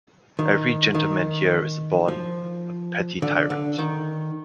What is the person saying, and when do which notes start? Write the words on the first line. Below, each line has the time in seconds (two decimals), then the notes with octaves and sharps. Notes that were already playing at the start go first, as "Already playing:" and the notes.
Every gentlemen here is born a petty tyrant.
0.39 D#3
0.95 D#3
2.08 F3
3.22 D3
3.50 D3
3.78 D#3